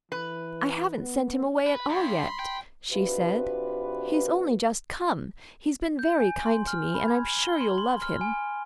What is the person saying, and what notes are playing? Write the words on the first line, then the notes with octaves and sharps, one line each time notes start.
"I haven't sent him away at all yet," she said; "he's only just come. He's been very kind to me, and I'm sure you'll love him."
E3 B4
B3
B4
G2 B5 C6
G5
C3 D4 F4 F#4 B4
G6
G#5
C6
F6
B5
G#6
G7
C6
C6
F6
G#5